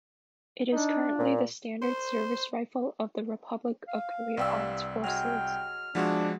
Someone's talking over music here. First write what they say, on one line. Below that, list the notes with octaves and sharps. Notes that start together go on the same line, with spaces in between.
It is currently the standard service rifle of the Republic of Korea Armed Forces.
D4 D#4
A#2
C5
F5
C2 G2 G3 E6
F#3 G#3 G5 F6
F3 G#3 B3 D4 E4 F#4